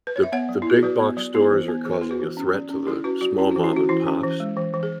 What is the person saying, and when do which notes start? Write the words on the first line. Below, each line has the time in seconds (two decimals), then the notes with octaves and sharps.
The the big box stores are causing a threat to the small mom-and-pops,
0.07 B4
0.16 C#5
0.23 E5
0.32 B3 C#5 F#5
0.49 F#3
0.62 E4
0.66 B3 F#4
0.76 G#4
0.83 F#3 F#4 B4
1.00 B3
1.17 F#3
1.35 B3 E4
1.51 E3
1.68 B3
1.85 E3 G#4
1.93 B4
2.01 B3 E4 G#4
2.11 F#4 B4
2.20 E3
2.37 C#4
2.53 F#3
2.70 C#4
2.87 F#3 E4 G#4
3.04 C#4 F#4 B4
3.21 F#3 F#4
3.38 C#4 E4
3.51 E3 F#4
3.64 E4
3.73 C#4 F#4
3.89 E3 E4
4.06 C#4
4.23 E3
4.40 G#3
4.57 E3
4.74 E3
4.83 G#4